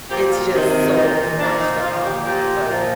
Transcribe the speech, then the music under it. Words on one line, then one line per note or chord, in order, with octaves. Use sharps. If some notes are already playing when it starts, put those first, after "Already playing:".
it's just so much to offer, but
A#2 F3 G4
F4
C3 D#3
A#2 F3 D#4
D#4
A#2 F3 D4
D#4
A#2 F3 F4
G4
A#2 F3 G4
A#2 F3